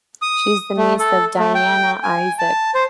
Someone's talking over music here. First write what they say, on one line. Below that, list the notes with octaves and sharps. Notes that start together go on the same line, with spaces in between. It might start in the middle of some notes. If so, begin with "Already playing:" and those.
She is the niece of Diana Isaac.
D#6
A3
A4
A3
G5
G#5
A5
C5